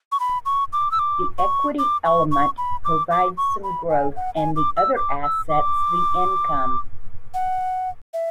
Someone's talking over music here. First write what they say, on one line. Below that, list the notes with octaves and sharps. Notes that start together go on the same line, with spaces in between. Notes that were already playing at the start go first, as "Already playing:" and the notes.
The equity element provides some growth and the other assets the income.
C#6
B5
C#6
D6
E6
D6
C#6
D6
C#6
C#6
B5
D6
D6
C#6
B5
G#5
F#5
G#5
D6
E6
D6
E6
D6
F#5
E5